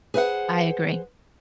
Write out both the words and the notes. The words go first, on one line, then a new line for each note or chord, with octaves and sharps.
I agree.
G#4 B4 C5 E5 F#5